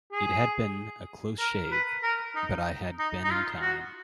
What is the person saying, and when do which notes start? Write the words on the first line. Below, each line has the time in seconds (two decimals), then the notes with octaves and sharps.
It had been a close shave, but I had been in time.
0.12 G#4
1.39 A#4
1.72 B4
2.03 A#4
2.35 D#4
2.99 D#4
3.23 D#4
3.30 F4
3.62 F#4